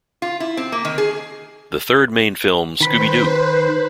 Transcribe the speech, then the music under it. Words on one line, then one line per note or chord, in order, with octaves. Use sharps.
The third main film Scooby-Doo!
F4
E4
C4
A#3
D#3
G#4
D#3 B4 C5 B5